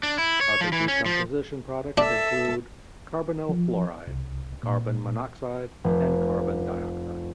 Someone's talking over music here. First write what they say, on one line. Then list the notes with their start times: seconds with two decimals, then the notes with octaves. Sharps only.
Other decomposition products include carbonyl fluoride, carbon monoxide and carbon dioxide.
0.03 D4
0.18 E4
0.41 C#5
0.61 F3
0.72 E3
0.88 C#4
1.06 F3
1.98 D4 A4 E5 A5
3.49 F3
4.07 C2
4.63 A#2
5.84 F1